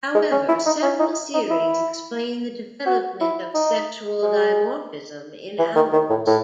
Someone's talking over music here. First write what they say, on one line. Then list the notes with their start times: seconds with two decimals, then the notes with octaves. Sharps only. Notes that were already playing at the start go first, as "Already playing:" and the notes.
However, several theories explain the development of sexual dimorphism in owls.
0.15 G#3
0.32 C#4
0.49 E4
0.66 D#4
0.82 C#4
1.00 D#4
1.34 D#4
1.50 E4
2.86 F#4
3.21 E4
3.55 D#4
4.23 G#3
5.59 E3
5.76 D#3
5.93 D#3
6.10 A2
6.27 A2